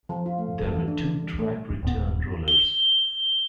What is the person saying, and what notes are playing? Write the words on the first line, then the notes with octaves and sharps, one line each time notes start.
There were two track-return rollers.
F3
F4
A3
A4
E3
D4
E3
G3
A3
D#1 A#2 B3
G7